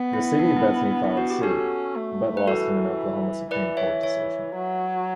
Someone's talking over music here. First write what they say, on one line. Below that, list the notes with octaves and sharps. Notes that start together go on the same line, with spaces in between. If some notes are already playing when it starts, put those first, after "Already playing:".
The city of Bethany filed suit, but lost in an Oklahoma Supreme Court decision.
Already playing: B3
E4
D4
E4
E4
D4
E4
F#4
G4
C#4 F#4 A4
A3
B4
E3 F#4 A4
E3 B4 D5
C#5 E5
C#5 E5
F#3